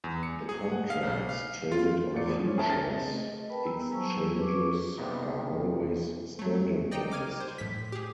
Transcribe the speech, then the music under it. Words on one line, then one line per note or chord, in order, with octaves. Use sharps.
The contracts traded on futures exchanges are always standardized.
E2
C#7
G#4
F#5
F5
B1
F5
F4
E2 A2 F4 D5 C#7
F3
C#4
G#4 A#4 C#5 E5 A5 A#5
A6 A#6
A3 C4 G#4
D#5
A#4 B4 G5 A5 B5
G3 B3 G#5 A#5 E6
F#3 G#4 C5 A5 C#6 E6
G#4 B4 C#6 D6
C3 D#3 G3 A#3 B3 D#4
F#3 A3
D5 D#5 G5 A#5
D6 F6 G#6 D#7
C5
A2 B6
G4 G#4